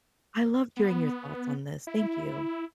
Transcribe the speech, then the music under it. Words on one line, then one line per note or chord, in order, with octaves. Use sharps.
I loved hearing your thoughts on this. Thank you.
B3
E4